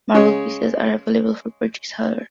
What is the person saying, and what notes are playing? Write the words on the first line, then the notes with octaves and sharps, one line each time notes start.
Marble pieces are available for purchase, however.
C#3 G#3 C#5